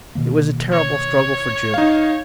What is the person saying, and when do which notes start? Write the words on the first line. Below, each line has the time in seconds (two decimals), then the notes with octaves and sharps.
It was a terrible struggle for June.
0.15 B2 D#3 A#3
0.72 C#5
1.74 D#4 F5